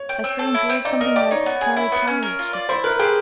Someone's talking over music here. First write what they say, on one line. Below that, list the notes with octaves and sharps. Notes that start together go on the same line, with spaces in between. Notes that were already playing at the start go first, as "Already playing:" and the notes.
"A strange word something like curry curry," she said.
Already playing: C#5
G5
C4
A4
E4
C4
D#4 D5
A#4 D#5
G4 D5
D#4 C#5
B3
G#4
E4
B3
C#4
A#4
F4
D5
E4 C5
A#4 B4
G4 G#4